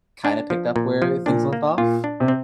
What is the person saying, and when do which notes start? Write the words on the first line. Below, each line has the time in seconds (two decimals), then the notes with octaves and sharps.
kinda picked up where things left off?
0.25 D4
0.50 F3
0.76 A#2
1.02 F3
1.26 A#2 D4
1.53 A#3
1.78 A#2 F4
2.04 D4
2.20 C3
2.28 C4